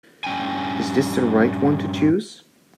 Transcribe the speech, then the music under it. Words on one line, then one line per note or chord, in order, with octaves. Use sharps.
Is this the right one to choose?
G2 C#4 G5 G#5